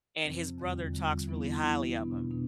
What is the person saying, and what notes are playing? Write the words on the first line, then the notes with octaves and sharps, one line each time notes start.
and his brother talks really highly of him,
F2 C3 F3 C4
E2 D3 G3 C4 F4
E2 D3 G3 C4 F4
E3 B3 E4
E3 B3 E4
B2 B3 D4
B2 B3 D4